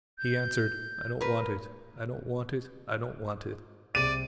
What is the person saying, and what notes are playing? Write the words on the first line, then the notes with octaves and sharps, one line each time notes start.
He answered: "I don't want it; I don't want it; I don't want it."
G6
A#4 B4
C2 C3 D5 D#7